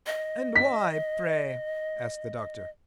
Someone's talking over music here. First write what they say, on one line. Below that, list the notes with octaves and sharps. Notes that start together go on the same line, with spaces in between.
"And why, pray?" asked the Doctor.
D#5
B6